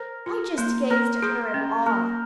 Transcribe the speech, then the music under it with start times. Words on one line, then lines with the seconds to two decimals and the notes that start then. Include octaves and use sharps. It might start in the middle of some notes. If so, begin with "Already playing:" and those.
I just gazed at her in awe.
Already playing: A#4 C5
0.26 F4
0.58 A#3 C5
0.90 A#3 A#4
1.22 G#4 C5
1.54 C#4
1.86 A#3 A#4